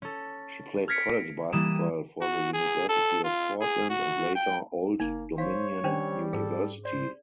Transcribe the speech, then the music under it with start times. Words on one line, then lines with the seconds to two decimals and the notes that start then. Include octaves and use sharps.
She played college basketball for the University of Portland and later Old Dominion University.
0.02 C#4 A4
0.88 F6 G#6 A#6 B6 C#7 D7
1.52 E3 G3 A#3 D#6 D#7 E7
2.21 F#4
2.53 G#4
2.89 A4
3.24 F4
3.61 G#4
3.90 F#4
4.35 G5
5.00 F#1 A#3 D#4
5.38 C5 C#5 F5
5.84 D#3 G3 C#4 D4 C5
6.33 G#2 G#4 A4
6.85 C5 D5